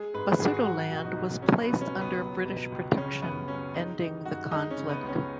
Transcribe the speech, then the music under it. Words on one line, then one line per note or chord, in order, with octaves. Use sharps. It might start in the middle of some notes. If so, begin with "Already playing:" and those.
Basutoland was placed under British protection, ending the conflict.
Already playing: G#3 G#4
G#2 B4
G#1 G#4
F#4
G#4
F#3 F#4
B2
F#4
D#4
B1
F#3 C#4
B3
B2
C#4
C#2
B3
F#3
B2
C#2
C#3 C#4
F#2 B3
F#3 C#4
G#3 D#4
D#3 D#4
F#2 F#4
G#3 D#4
C#4
C#3
B3
C#2
C#4